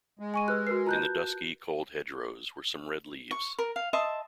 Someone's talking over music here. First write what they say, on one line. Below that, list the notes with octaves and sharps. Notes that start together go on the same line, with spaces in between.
In the dusky, cold hedgerows were some red leaves.
G#3
G#5 C#6 D#7
G4 B4 E6 F#6
F#4 A#4 B4 C7
F4 A5 F#6 G6
C#6
A#4
F5
D#5 E5 A5 C6